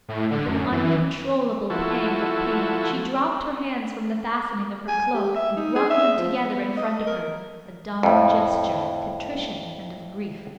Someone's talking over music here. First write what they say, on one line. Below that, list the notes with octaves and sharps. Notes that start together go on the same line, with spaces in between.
With an uncontrollable pang of pain she dropped her hands from the fastenings of her cloak, and wrung them together in front of her--a dumb gesture of contrition and of grief.
A2
D3
F#2
E3
F3 E4 F#4 A4
G#5
G4
E5
D#4
G#4
E5
F3
B3
B3
D#5
A#4
F2 A2